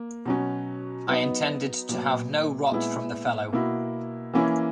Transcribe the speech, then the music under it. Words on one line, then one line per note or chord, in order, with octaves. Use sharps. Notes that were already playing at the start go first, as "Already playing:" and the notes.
I intended to have no rot from the fellow.
Already playing: A#3
B2 F#3 C#4
F#3 B3 D#4
A#2 F#3 B3
A#2 G#3 B3 E4
B2 A#3 E4
E3 A#3 C#4 E4